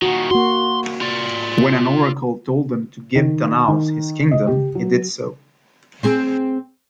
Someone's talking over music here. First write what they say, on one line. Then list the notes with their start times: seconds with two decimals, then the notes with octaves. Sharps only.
When an oracle told him to give Danaus his kingdom, he did so.
0.02 A#2 D#3 F#4
0.31 A#3 F#4 C6
1.01 F4 D5
3.16 D#3
3.68 D#3
4.31 D#5
4.47 G4
4.75 F#3
6.03 C4 G#4 C5